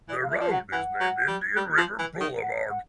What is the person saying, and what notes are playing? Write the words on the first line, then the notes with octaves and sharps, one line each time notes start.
The road is named Indian River Boulevard.
E3 D5
F5
F3 E5
F3
F#3 F#5
E3 F#5
F#3
G3
G3
F3
E3
D#3
F#5
F#5